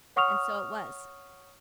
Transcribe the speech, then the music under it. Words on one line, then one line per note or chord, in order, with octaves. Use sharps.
And so it was.'
C#5 F#5 C#6 D#6 F6 F7